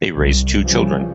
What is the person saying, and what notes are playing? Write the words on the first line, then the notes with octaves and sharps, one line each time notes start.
They raised two children.
C2
C#3 E3 F3 G3